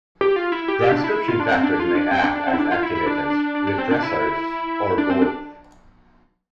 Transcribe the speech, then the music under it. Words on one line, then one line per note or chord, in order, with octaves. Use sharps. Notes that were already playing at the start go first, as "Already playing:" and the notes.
Transcription factors may act as activators, repressors, or both.
G4
F4
E4
G4
G4
D4
E4
E4
F4
D4
C4
D4
F4
D4
C4
D4
D4
C4
E4
D4
F4
E4
E4
D4
D4
D4
D4
C4
D4
E4
D4
C4
D4